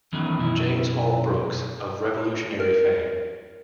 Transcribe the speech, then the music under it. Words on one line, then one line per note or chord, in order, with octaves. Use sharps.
James Hall Brooks, of Revolutionary fame.
D#3 E3 F#3 A3 B3 C#4
F#2 B2 E4
A#4